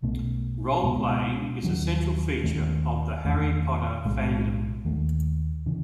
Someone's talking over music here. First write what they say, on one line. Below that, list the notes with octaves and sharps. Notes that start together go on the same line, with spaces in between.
Roleplaying is a central feature of the Harry Potter fandom.
B1 B2 A3 C#4
C#2 B2 G#3 B3
D#2 D#3 F#3 C#4
D#2 D#3 A3 C#4
E2 D#3 A3 C#4
B1 A2 G#3
D#2 D#3 A3
C#3 E3